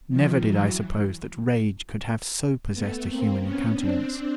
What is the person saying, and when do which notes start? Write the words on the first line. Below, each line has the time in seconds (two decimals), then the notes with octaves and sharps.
Never did I suppose that rage could have so possessed a human countenance.
0.09 D#3 F3
0.42 E3 F#3
2.74 A3 B3
3.07 A#3 C4
3.40 B3 C#4
3.73 C4 D4